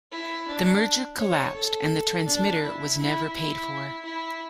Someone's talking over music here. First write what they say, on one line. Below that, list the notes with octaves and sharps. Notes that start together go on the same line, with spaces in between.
The merger collapsed, and the transmitter was never paid for.
E4
D4
C#5
A4
D4
E4
E4
E4
E4